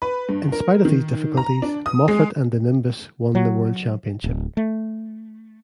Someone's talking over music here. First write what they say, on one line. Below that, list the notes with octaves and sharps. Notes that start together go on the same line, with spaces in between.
In spite of these difficulties, Moffat and the Nimbus won the World Championship.
B4
G2
A#4
D#3
A#5
D4
D#6
G#3
F#3
D1
A3